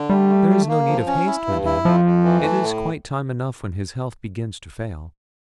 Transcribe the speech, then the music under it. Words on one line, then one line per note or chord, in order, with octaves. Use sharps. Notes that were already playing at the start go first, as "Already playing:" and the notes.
'There is no need of haste, Madame; it is quite time enough when his health begins to fail.'
Already playing: D3
G3 A3
A3
A3
A#3
F3
C#4
E4
G2
E4
F2 F3
F2
E3
A3
A2